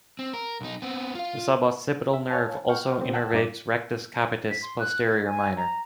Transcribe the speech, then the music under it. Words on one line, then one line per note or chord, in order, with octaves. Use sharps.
The suboccipital nerve also innervates rectus capitis posterior minor.
C4
A#4
B1 D#4
B3 C4
F4 F5
E5
C#5 F5 G#5 A5
F#5 G5 C#6 F6
D3 B3 C4 G4 C5
F#5 G5 A5 E6 F#6
G2 A#3 D#4 D6
B6
C6
F#6
G#6
G#5
A#5